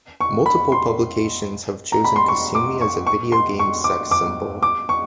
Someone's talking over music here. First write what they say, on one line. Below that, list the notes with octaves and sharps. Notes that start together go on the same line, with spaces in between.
Multiple publications have chosen Kasumi as a video game sex symbol.
C#6
B5
C6
A#5
B5
C6
C#6
D6
C#6
C#6
C6
C#6
D6
D6
D6
C#6